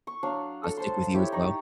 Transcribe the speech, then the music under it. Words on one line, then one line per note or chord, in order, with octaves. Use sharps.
uh, stick with you as well?
C#6
F#3 D4 F5
A4
C5 A5 C6
E4 G4 C#5 G5
D#4 D5 A#5 C#6